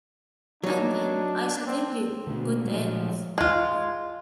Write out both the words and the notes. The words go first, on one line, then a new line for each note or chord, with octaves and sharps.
And then I suddenly got it.
F#3 D4 D#4
C4
B2 D3 A3 D4
A#2 F3 F#3 G#3
G#3 F4